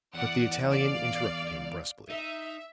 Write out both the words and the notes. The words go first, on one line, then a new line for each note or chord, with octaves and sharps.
But the Italian interrupted him brusquely.
E2 D5 F#5
D5 F5
D#4 E5